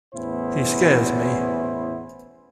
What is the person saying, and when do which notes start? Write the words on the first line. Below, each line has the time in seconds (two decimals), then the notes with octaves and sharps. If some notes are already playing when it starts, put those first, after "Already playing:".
He scares me.
0.14 E2 A2 B3 C#4 E4 C5